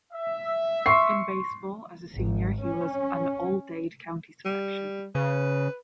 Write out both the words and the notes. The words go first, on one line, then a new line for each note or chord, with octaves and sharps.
In baseball, as a senior, he was an All-Dade County selection.
E5
C6 C#6 C7
G#1
C#4
G3
C#3 B4